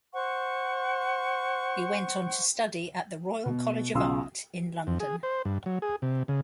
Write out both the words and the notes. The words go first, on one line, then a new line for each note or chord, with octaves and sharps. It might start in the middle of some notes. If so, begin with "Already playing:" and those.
He went on to study at the Royal College of Art in London.
C5 F#5 C#6
B2
B1 C#3 F4 C6 D#6 E6
F2
G#4
C5
G2
F#3
G#4
C3
C#3